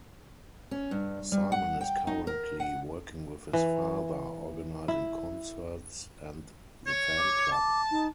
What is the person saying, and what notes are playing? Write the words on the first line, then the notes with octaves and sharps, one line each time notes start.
Simon is currently working with his father, organising concerts and the fan club.
C#4
G2
G3
F#5
G5
D#4
A#4
F#5
E3
E4
C#5
D6
A5
D#4